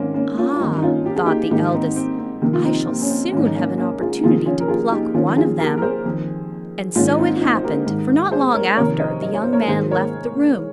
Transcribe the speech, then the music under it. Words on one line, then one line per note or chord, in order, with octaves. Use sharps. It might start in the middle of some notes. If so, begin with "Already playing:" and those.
"Ah," thought the eldest, "I shall soon have an opportunity to pluck one of them;" and so it happened, for not long after the young man left the room.
Already playing: G#2 D#3 A#3 C4 C#4
A#3 C#4
C#4 F4
F4
G2 D#3 C4 D#4
D#4
C#4 F4
G4
G#4
D#4 G4
G#2 D#3 D#4 G4
C4 D#4
C4
C4
F2 C3 D#3
F4
C4 D#4
C4
C#4
C4
G#2 D#3 A#3 C#4
D#4
A#3 C#4
A#3 C#4
F4 G#4
F2 C3 D#3 F4 G#4
C#4 F4
A#4
F4 G#4
D#4 G4
F2 D#3 C#4 F4
F4 G#4
G4 A#4
A#4
G#4 C5
F2 D#3
G#2 D#3 C#4 F4
C4 D#4
F4
C4 D#4
C5
G4 A#4
G#2 D#3
G#4 C5
A#4 C#5
F2 C3 D#3 A#4 C#5
C5 D#5
D#5
C#5
C5
A#4 C#5
G#2 D#3 G#4 C5
A#4 C#5